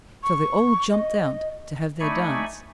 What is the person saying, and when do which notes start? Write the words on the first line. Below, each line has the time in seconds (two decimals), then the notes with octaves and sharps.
So they all jumped out to have their dance.
0.23 C#6
0.91 D#5
2.00 A3 D#4 D5 G#5 B5 C#6